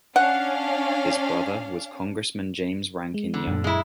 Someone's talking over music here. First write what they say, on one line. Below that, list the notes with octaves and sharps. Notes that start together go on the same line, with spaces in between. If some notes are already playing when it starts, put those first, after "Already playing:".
His brother was Congressman James Rankin Young.
C#4 D4 F5 F#5
G#3
D3
F#2 A#2
G#3 E4